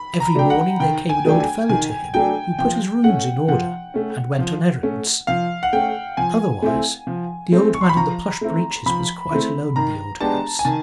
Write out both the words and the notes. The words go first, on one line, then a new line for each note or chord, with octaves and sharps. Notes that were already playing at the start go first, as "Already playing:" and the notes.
Every morning there came an old fellow to him who put his rooms in order, and went on errands; otherwise, the old man in the plush breeches was quite alone in the old house.
Already playing: B5
A#5
F#3 A3 D4 G5
F#5
D#3 G5
G#5
F#3 A3 D4 G5
G#5
D#3 G#5
F#3 A3 D4 G5
F3 G5
A3 C#4 F#5
F3 F#5
A3 C#4
F3
A3 C#4
F3 F5
F#5
A3 C#4 G5
F3 G#5
A3 C4 E4
F3
A3 C4 E4
C#6
C6
B5
F3 A#5
A3 C4 E4
F3 B5
A3 C4 E4
D#3 A#5
G#3 B3 D4 G4 A5
G#5
D#3 A5